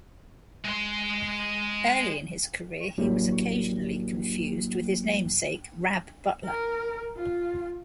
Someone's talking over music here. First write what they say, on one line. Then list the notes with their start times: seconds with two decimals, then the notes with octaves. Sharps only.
Early in his career, he was occasionally confused with his namesake Rab Butler.
0.65 G#3 C6
2.98 A1 F#3 A#3 D4 E4 G4
6.44 A#4
7.16 F4